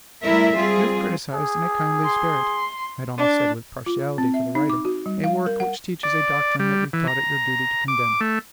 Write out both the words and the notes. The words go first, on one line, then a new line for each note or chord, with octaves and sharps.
You have criticised in a kindly spirit--I had almost said with partiality for the writer--a work which teaches a doctrine that you thought it your duty to condemn.
G3 A3 E4 A#4 E5
G3 C4 F4 G#4
G#4
C6
D4
F4
C4
E5
D#4
D6
F#4
G3
F5
A#4
F#5
D5
G3
E3
A#5
D6
A3